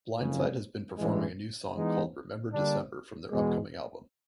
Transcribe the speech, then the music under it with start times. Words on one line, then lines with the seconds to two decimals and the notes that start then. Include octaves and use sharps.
Blindside has been performing a new song called "Remember December" from their upcoming album.
0.20 F#1 F2 C#3
0.97 A1 G2 E3 G#3
1.76 E3 G#3 B3 D#4
2.53 D3 G3 A#3 D4
3.31 E2 B2 G#3